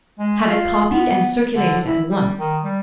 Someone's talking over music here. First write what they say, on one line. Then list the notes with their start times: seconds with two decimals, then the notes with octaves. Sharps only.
Have it copied and circulate it at once.
0.19 G#3
0.47 F4
0.91 B3
1.55 D3
1.86 E4
2.10 G3
2.39 D#3
2.64 G3